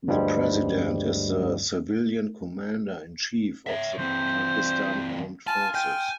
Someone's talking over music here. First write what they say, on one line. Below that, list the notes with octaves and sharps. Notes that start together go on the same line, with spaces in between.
The President is the civilian Commander in Chief of the Pakistan Armed Forces.
D2 G2 F3 G3 G#3
C#5 E5
E3 C4 C5
F4 G#5 A5
G5 G#5